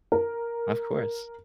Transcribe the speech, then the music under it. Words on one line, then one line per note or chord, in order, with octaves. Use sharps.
Of course.
A#4